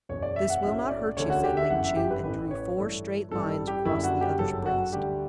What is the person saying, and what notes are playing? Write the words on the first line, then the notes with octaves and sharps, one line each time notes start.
"This will not hurt you," said Ling Chu, and drew four straight lines across the other's breast.
F#1 E2 B2 C#5
D5
E5
F#5
B1 A2 F#3 C#4 E5
D5
E1 D2 D3 A3 C#4 C#5
F#4
G4
E5
G1 F#2 E3 F#5
E5
G4
B4
A1 A2 E3 B3 B4
C#5
G2 E3 A3 D4 A4
A1 G2 E3 G3 A4
A4
G4
F#1 F#2 D3 G3 E4
F#4
G4
G1 F#2 C#3 F#3 C#4 A4
A4
F#4
D2 D3 G3 G4